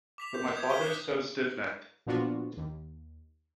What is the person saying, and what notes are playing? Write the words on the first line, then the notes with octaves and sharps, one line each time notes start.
But my father’s so stiff-necked.
D6 B6 F7
G6
D#6 G#6
G#6 B6 D#7 G7
F#6 C7 E7
A#2 F3 B3 D4 F4 F#4
D#2